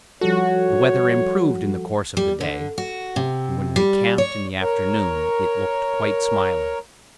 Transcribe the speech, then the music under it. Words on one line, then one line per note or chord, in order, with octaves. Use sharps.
The weather improved in the course of the day, and when we camped in the afternoon it looked quite smiling.
F3 G3 F#4 A4 C#5
G3
D3
F#4
C3
G3
C#5
A#4 C#5